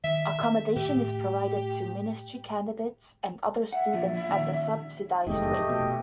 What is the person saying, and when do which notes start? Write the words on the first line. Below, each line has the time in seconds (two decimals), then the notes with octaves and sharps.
Accommodation is provided to ministry candidates and other students at a subsidised rate.
0.04 D#3 E5
0.76 A2 G4
3.73 E5 F#5
3.93 A#2 F3
4.14 E5
4.29 A#2 D#3
5.27 F1 E2 G#2 A3 G4 D#5
5.69 B2